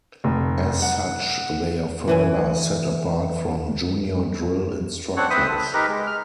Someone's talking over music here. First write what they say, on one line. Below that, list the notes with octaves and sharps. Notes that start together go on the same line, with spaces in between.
As such, they are further set apart from "junior" Drill Instructors.
F1
F#5
E3 B4 G#5
C4 D4 C#5 F#5
C4 B4 C5 E5 D#6
A4
D#4 G4 A#4 B4
G#3
F6